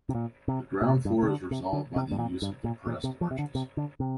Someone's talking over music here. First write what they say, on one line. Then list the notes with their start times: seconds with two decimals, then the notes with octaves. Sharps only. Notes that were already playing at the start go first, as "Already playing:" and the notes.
The ground floor is resolved by the use of depressed arches.
0.09 C3
0.15 A#2
0.48 C3
0.82 A#2
1.05 G2
1.23 C3
1.28 D3
1.51 C3
1.73 D3
1.96 C3
2.11 G2
2.18 A#2
2.42 G2
2.64 A#2
2.87 A#2
3.04 C3
3.21 F3
3.31 C3
3.39 D3
3.55 C3
3.77 D3
4.00 C3